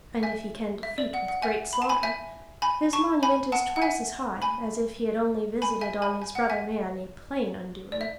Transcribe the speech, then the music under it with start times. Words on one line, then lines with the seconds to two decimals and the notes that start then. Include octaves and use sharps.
And if he can "defeat with great slaughter" his monument is twice as high as if he had only visited on his brother man a plain undoing.
0.23 E5 G#5
0.83 E5
0.98 D5
1.14 F#5
1.28 F#5
1.42 E5 G#5
1.73 B5
1.82 A5
1.89 G#5 B5
2.03 E5 G#5
2.62 G#5 B5
2.93 A5 C#6
3.23 G#5 B5
3.52 F#5 A5
3.76 F#5
3.82 E5 G#5
4.42 G#5 B5
5.62 G#5 B5
5.81 E5 G#5
6.02 G#5 B5
6.22 G#5
6.35 F#5
6.50 E5 G#5
7.92 D5
8.01 E5